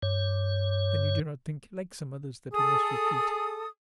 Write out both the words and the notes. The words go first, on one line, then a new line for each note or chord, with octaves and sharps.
"Then you do not think, like some others, that we must retreat?"
G2 C#5
G#4 A4 D#6